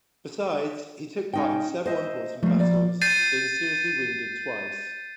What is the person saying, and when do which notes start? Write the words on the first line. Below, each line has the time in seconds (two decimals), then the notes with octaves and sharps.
Besides, he took part in several important battles, being seriously wounded twice.
1.33 C#4 D#4 G5
1.86 C5 D#5 E5
2.43 F3 A3 A#3
2.60 D5
3.01 G6 A6 C7 D#7